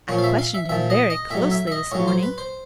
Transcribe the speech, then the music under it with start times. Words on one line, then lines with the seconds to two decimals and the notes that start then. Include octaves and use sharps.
I questioned him very closely this morning.
0.08 A#2 F3 C#5
0.18 F5
0.24 E5
0.39 F5
0.54 E5
0.69 A#2 F3 E5
0.90 D#5
1.10 D#5
1.30 A2 F#3 E5
1.51 E5
1.67 E5
1.72 D#5
1.91 A2 F#3 C#5
2.08 C5
2.23 B4
2.38 C5